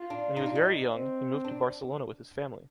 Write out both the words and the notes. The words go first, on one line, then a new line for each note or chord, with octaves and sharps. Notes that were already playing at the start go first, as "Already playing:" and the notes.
When he was very young, he moved to Barcelona with his family.
Already playing: F4
D4
D#4
D4
D#4
C4
D4